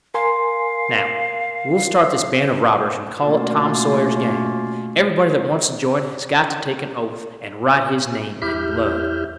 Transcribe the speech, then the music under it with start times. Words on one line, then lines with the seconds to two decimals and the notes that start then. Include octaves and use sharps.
"Now, we'll start this band of robbers and call it Tom Sawyer's Gang. Everybody that wants to join has got to take an oath, and write his name in blood."
0.14 A#4 F5 G#5 C6
3.21 B2 A3 A#3 C#4 F4
8.42 E2 E4 G4 E5 F6 G6